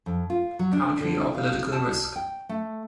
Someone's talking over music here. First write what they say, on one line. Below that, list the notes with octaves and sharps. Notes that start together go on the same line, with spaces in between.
Country or political risk.
F2
F4
F#3
D4
D3
F5
A5
G5
A3